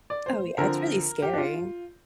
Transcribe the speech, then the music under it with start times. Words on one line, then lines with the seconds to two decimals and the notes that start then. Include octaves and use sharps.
Oh, yeah. It's really scary.
0.10 D5
0.26 C5
0.58 D3 F3 C4 A#4
1.22 G4
1.34 D4
1.38 F4